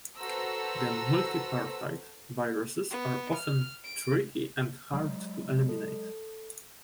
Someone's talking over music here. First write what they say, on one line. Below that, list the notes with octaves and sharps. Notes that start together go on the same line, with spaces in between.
The multipartite viruses are often tricky and hard to eliminate.
F#4 A4 B4 C5 A#5 E6
B3
F6
D7
F#3 G#3
A4